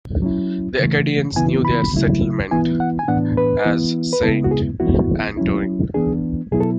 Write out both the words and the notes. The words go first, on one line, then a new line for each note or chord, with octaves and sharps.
The Acadians knew their settlement as Saint Antoine.
F#3 C#4 E4
C#3 E3 A3
C#3 E3 B3 E4 G#5
B5
C#3 F#3 A3 E4
E3 B3 E4 G#5
F#5
G#5
A2 E3 B3 D4 F#5
B4
E3 B3 E4
B4
C#3 G#3 B3 E4 A4
F#4
G#4
E3 B3 E4 F#4
F#3 C#4 E4
E3 B3 D4 G#4
B2 F#3 B3 E4 G#4
A4